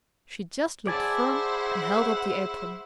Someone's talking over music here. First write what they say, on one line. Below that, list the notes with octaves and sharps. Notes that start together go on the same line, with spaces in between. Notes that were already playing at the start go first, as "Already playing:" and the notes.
She just looked firm and held up the apron.
E4 G#4 C5 D5 F#5 G#5 A5